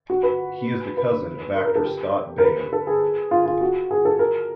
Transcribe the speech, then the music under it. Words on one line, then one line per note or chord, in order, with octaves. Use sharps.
He is the cousin of actor Scott Baio.
F#4
B4
B4
B4
A#4
A#4
A4
G4
A#4
B4
A4
G#4
F4
F4
F#4
G#4
A4
A#4